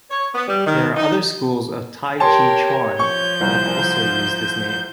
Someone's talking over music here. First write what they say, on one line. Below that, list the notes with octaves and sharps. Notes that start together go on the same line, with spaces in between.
There are other schools of T'ai chi ch'uan that also use this name.
C#5
B3
G3
D#3
D#4
G4 A#4 C#5 A5 C6
F3 C#6 G6
C2 C5